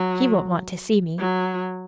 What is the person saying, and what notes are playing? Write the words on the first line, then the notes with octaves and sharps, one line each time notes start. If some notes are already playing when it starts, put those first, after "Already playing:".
He won't want to see me.
Already playing: F#3
F#3